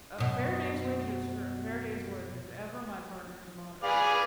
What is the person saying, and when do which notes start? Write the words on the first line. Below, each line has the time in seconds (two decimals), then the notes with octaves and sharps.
A fair day's wages for a fair day's work is ever my partner's motto.'
0.18 F#2 B2
3.84 G#4 B4 D5 F5 G#5